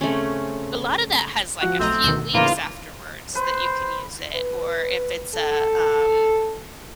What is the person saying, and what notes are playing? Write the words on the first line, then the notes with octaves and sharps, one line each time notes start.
a lotta that has, like, a few weeks afterwards that you can use it, or if it's a, um
C#3 A3 C4 C#4
F3 F#4 F#5 C#6
B1 A3 C4 D#5 A#5
D2 B2 D#3
A2 C#3 E3 A#3 D#4 F4 B4
B4 C5
B4
A4